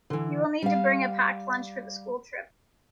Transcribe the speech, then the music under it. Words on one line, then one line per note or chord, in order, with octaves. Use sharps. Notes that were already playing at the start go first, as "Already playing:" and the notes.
You will need to bring a packed lunch for the school trip.
D3 E3
G3 F5